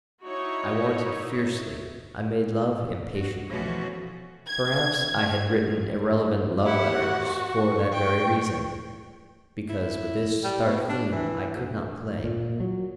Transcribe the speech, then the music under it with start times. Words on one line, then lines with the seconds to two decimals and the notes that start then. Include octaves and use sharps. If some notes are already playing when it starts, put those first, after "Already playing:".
I wanted fiercely; I made love impatiently. Perhaps I had written irrelevant love-letters for that very reason; because with this stark theme I could not play. . .
0.24 D#4 E4 F#4 C#5
3.16 F#4
3.50 B2 E3 F3 A3 C#4 F#4
4.48 G#6
6.64 E4 G4 F#5
6.99 F#4
7.30 C#6
7.92 G5
9.69 E4
10.44 G3
10.67 B2
10.89 D4
11.12 E3
11.55 D2
12.24 A#2
12.60 F#3